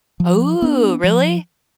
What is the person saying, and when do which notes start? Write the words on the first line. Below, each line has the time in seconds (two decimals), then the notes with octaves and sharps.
Ooh, really?
0.20 F3
0.62 B3 D4
1.04 F3